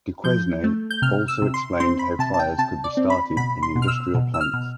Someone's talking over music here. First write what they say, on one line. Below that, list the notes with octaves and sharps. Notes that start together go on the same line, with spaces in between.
Duquesne also explained how fires could be started in industrial plants.
F3 G6
A3
G6
C3 F6
E6
C3
C6
C4 C6
B5
C3 A5
A5
G5
C3 A5
D5
C4
B5
B2 B5
C6
B2
F6
E6
B2
E6
F6
B2